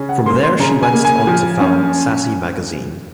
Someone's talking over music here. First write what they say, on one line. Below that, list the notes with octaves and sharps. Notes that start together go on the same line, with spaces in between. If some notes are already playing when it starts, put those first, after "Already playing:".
From there she went on to found "Sassy Magazine".
Already playing: C#3 C#4
F#5
A#3 C6
C6
C#3 A#5
G#5
A#3
G#5
F3
C#4